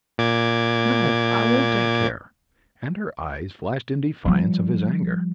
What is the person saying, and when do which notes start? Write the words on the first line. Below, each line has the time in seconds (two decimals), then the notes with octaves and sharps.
"No, I won't take care!" and her eyes flashed in defiance of his anger.
0.18 A#2 D6 G#6
4.25 F3 G3